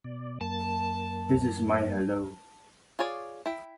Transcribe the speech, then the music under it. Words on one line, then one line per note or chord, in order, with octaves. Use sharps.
This is my hello.
B2 D5
F#2 A#3 A5
F4 G#4 C#5 D5
E4 G5